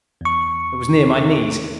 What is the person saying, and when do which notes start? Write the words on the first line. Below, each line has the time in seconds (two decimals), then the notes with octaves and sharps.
It was near my knees.
0.21 E2 C#6